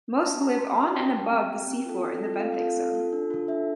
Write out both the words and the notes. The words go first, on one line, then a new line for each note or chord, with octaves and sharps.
Most live on and above the seafloor in the benthic zone.
C4 A5
G4 A#5
C4 C6
D6
G4 C6
A5
C4 G5
G4
C4
G4
C4
F4 A4
C4
F4 A4
C4 F5
F5
F4 A4
F5
C4
F4 A4
D4
F4 A4
D4 E5